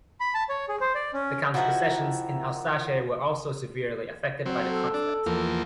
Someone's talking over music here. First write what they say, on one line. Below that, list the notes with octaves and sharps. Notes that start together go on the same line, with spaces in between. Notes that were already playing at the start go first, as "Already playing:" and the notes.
The count's possessions in Alsace were also severely affected by the conflict.
B5
A5
C#5
G#4
C5
D5
C#4
D#3 F3 E4 F#4
F#3 C4
A4
D4
E2 F3 A#3